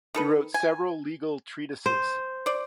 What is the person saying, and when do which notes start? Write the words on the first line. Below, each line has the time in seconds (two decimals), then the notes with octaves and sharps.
He wrote several legal treatises.
0.15 D#3 A4 B4
0.54 G#5
1.86 C5
2.46 C5 D5